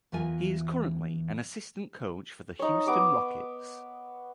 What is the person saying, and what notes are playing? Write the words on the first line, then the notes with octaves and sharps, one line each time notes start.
He is currently an assistant coach for the Houston Rockets.
E2 E3 F4 A#4 G#5
D#4 C#5
B3 D6 D#6